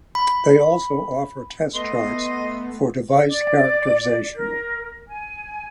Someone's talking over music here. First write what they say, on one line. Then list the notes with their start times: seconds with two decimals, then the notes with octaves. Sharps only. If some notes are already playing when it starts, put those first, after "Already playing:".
They also offer test charts for device characterization.
0.15 B5
1.74 A3 B3 D#5 C6
3.28 D5
4.34 A#4
5.07 G#5